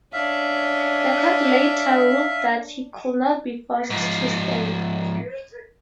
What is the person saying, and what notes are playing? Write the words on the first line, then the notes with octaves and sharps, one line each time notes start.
The court later ruled that he could not be forced to stand.
C#4 D4 E5 F5
G#2 F3